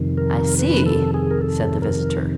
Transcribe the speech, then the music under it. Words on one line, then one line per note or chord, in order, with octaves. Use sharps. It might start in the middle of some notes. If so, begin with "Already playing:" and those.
"I see," said the visitor.
Already playing: F2 C3 D#3
A#4
B4
A4
G#4
A#4
A4
A#4